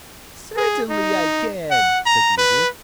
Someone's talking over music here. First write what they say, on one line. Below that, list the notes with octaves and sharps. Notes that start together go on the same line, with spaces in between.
"Certainly I can," said the Idiot.
G#4
D#4
F#5
A#5
B4